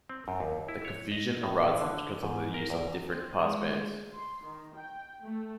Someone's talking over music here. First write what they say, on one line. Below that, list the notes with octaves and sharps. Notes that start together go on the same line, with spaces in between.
The confusion arises because of the use of different passbands.
C4
F#2
D#2
E4
C#5
D#5
A2
D3
G#2
A#4
E2
C4
G#3
C6
D#3
G5
A3